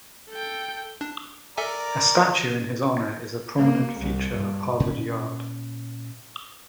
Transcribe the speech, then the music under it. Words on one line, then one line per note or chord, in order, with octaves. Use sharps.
A statue in his honor is a prominent feature of Harvard Yard.
A4 G5
D4
A4 A#4 D5 E5 G#5 A#5
A#3
C2
G2
A#2 C#4